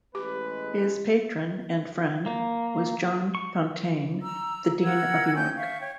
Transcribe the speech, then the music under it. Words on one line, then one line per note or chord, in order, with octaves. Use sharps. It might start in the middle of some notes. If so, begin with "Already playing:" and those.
His patron and friend was John Fountayne, the Dean of York.
A1 G#3 G4 B4
A#3
C#6
A#5 E6
A#4 F#5 E6 G#6
C#4 G5 G6
E5 F5 C#6
C#5 G5